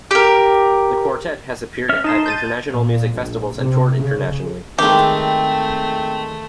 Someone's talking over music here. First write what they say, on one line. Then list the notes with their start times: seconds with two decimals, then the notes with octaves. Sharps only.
The quartet has appeared at international music festivals and toured internationally.
0.11 G4 A#4
1.89 C#4 E5 F6
2.04 D#4 D#5 A5 C6 E7
2.26 G6 A6 D#7
2.71 A#2
3.17 A#1
3.56 C3
3.95 C#3
4.79 D#3 G#3 A3 C4 G4